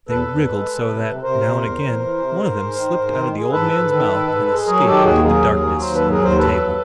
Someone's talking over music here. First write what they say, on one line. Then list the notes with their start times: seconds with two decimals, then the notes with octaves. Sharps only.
They wriggled so that, now and again, one of them slipped out of the old man's mouth and escaped into the darkness under the table.
0.09 E2 A4 B4
0.27 E2
0.47 G#3
0.65 G#3
0.85 C3
1.04 C3
1.23 C3 A#4 C5
1.42 C3
1.61 E2
1.79 E2
1.99 E3
2.18 C3
2.38 G#2
2.56 G#2
2.75 D#3
2.94 G#2
3.13 D#3
3.33 G#3
3.51 G#2 A4 B4
3.71 G#2
3.90 D#3
4.09 D#3
4.28 G#2
4.47 G#3
4.66 F#3 G#4 A#4
4.85 D#3 G4 A4
5.04 D#2 F#4 G#4
5.23 F#3 G#4 A#4
5.42 D#2
5.52 G#4 A#4
5.62 F#3
5.80 D#2 A#4 C5
5.94 A4 B4
6.00 F#3
6.09 G#4 A#4
6.18 D#2
6.24 A#4 C5
6.37 F#3 A4 B4
6.57 D#2